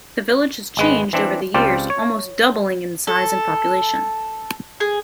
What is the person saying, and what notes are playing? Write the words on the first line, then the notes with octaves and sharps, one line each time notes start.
The village has changed over the years almost doubling in size and population.
G#1 G#3 B4
E3 C4 D4
C#2 C4 F4 G4 D5
C#5
A4
G#4